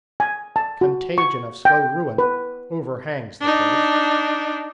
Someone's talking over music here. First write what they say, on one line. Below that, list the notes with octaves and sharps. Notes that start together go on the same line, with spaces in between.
Contagion of slow ruin overhangs the place.
G#5
A5
F#4
C#6
G5
B4
D4 D#4